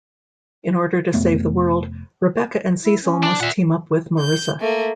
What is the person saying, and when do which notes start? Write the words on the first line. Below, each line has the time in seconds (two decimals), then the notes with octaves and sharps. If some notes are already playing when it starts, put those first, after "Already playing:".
In order to save the world, Rebecca and Cecil must team up with Marissa.
1.14 F1 F2 A3 B3
2.84 E4
3.02 C#4
3.23 D4
3.40 A#2 E5 F#5
4.19 G6
4.61 A3 A#3